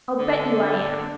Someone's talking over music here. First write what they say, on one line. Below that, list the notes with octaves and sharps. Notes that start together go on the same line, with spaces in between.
"I'll bet you I am!"
D3
D4